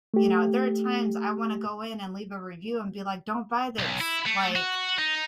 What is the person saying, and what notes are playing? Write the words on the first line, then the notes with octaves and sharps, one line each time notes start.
you know, there are times I wanna go in and leave a review and be like, "Don't buy this." like,
A3 G4
B1
E4
A3
F#4
D#4